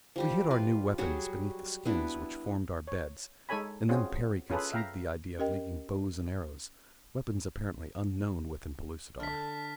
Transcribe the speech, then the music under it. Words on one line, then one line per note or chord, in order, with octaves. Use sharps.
We hid our new weapons beneath the skins which formed our beds, and then Perry conceived the idea of making bows and arrows--weapons apparently unknown within Pellucidar.
F3 G3 G4
F4 B4 C6
F#3 G3 F#4 G#4
B3 D4 E4 B4
C#5
G#3 D#4 A4 C#5 G#5 B5
C4 C#4 F4 F#4 G#4
C#4 F4 G#4 A4 B4
E5 F5 G5 A#5
C#4 G4 A#4 D#5 G5
D3 A5 F6 B6